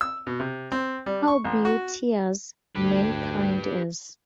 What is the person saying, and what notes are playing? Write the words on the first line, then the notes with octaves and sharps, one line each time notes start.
How beauteous mankind is!
E6
B2
C3
C4
G3
C#6
A1
F#4
D2 G4 B4